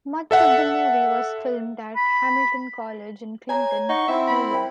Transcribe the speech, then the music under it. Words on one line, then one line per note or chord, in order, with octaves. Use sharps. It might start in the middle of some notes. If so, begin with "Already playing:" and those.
Much of the movie was filmed at Hamilton College in Clinton, New York.
A4 E5 F#5
B5
C#5 G#5 A#5
D#4 F#5 C#6
C4 E4 E5
B5
A#4 C5 G5